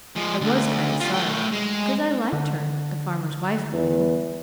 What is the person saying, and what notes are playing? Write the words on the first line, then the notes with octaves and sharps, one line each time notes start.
I was kind of sorry, 'cause I liked her--the farmer's wife, I mean.
F3 G#3
D2
F4 G4
A3 G5
G#3
D3
E2